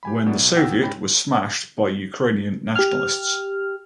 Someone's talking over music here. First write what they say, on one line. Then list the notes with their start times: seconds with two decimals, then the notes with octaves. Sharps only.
When the soviet was smashed by Ukrainian nationalists.
0.03 G4 G#5 B5
0.26 A2 F#3 B3 D4
0.39 B1
0.57 D#2 F#5 G5 E6 A#6
0.82 G#2 C#4 G5 B5
2.75 G4 F6